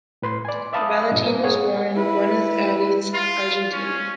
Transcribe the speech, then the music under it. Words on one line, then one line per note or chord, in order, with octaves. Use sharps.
Valentin was born in Buenos Aires, Argentina.
A2 B4 C6
D5 G#5
D5 E5 F5 A5 B5 D#6
G2 A#2
A#3
G#4 C#5 F#5
E4 B4
F4
C#4